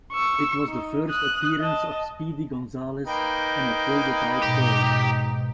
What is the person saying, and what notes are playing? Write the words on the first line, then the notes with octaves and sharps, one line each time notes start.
It was the first appearance of Speedy Gonzales, in a prototype form.
C#6 E6
D#4
D#6 F#6
D#5 A5
A#3 D#4 B4 G5
G#2 B2 G4